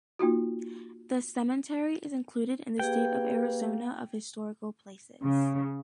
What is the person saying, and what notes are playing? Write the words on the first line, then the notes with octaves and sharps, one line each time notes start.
The cemetery is included in the State of Arizona of Historical Places.
A#3 D#4 F4 F#4
A#3 G4 G#4 B4 G5
C#3